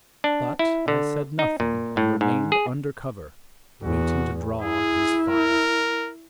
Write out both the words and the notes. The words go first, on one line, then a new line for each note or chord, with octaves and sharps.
But I said nothing and remained under cover, waiting to draw his fire.
D4
E4
D3
D#4
A#2
A2
G#2
G#4
E2 F#4
E4 G#4
A#4